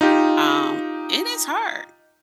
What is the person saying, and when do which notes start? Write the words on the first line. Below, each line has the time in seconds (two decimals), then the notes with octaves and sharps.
um, it is hard.
0.01 D#4 F4 G4